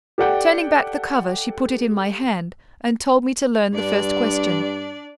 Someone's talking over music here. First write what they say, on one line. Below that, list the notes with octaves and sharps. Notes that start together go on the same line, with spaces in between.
Turning back the cover she put it in my hand, and told me to learn the first question.
G4 A4 D5 F#5 G5
G2 D4 D5